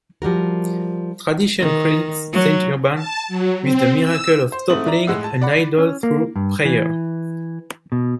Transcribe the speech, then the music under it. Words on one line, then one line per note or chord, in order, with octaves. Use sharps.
Tradition credits Saint Urban with the miracle of toppling an idol through prayer.
F3 G3 F#4 A#4
D#3
F#3
A5
F#3
C4
E6
C5
G#2 A3 C4 D#6 F#7
E4 D5 A#5
A2 G#3 F#5 E6
A5
D5 F#5 B5
C#4
A#3
G2
E3
B2